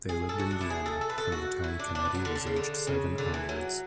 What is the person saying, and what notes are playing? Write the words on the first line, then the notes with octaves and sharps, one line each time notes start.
They lived in Vienna from the time Canetti was aged seven onwards.
G#4
A4
F#4
D4
E4
G#4
A4
A4
B4
A4
F#4
E4
D4
D4
B3
F#3
D3
D3
C#3
D3
C#3
D3
E3
F#3